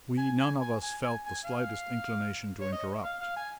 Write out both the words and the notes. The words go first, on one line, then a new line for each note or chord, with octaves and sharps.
We none of us felt the slightest inclination to interrupt.
G#5
G#5
G#5
G#5
G#5
G#5
F5
C#5
D#5
F5
F5
G#5